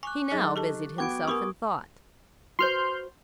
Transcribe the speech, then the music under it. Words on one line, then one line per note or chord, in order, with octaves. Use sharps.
He now busied himself in thought.
G#5 C#6 D6 F#6
F#3 D#4 G#4 A6
G4 A4 A5
B3 F#4 G5 D6 G#6 D7
B3 G4 A#4 G#5 C#6 D#6
F#4 B4 C5 C6 F6 G6